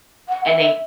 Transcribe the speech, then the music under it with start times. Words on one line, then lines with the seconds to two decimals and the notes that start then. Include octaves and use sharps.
and they
0.28 F#5
0.44 E5
0.62 E5